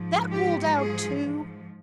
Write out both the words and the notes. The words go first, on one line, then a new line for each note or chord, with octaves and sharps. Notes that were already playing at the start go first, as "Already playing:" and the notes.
That ruled out too?
Already playing: G#2 F3
G4
G#4